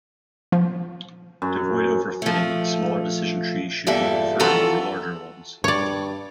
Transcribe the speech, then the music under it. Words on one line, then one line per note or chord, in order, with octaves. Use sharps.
To avoid overfitting, smaller decision trees should be preferred over larger ones.
F3
F#2
F3 A3
E2 G2 A#2 G3 A4 E5
F2 E3 F4 F#4 A4 A#5
G2 C#5 D5